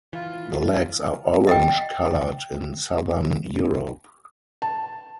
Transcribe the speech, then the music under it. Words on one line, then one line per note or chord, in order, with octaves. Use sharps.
The legs are orange colored in southern Europe.
E3 F4
D#5 G5
A5